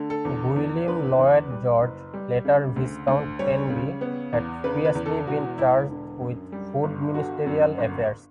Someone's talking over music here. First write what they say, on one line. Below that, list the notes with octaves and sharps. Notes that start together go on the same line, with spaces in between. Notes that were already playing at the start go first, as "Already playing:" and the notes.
Gwilym Lloyd George "later" Viscount Tenby had previously been charged with Food ministerial affairs.
Already playing: D3 A3
A4
E2
E2
D3 B4
E2
G3
F#1
G3
C#3
D2
D2
G3 C#5
C#3
B3
E2
C#3 B4
B4
E2
A4
E1 F#4
E1 E4
D3
F#2
G3
G1
D3 F#4
F#2
G1